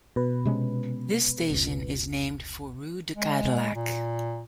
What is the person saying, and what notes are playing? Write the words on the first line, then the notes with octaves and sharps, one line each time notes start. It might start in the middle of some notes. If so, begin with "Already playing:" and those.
This station is named for rue de Cadillac.
B2 B4
C3 G#3 C#4
F1 C#2
G#3
A#2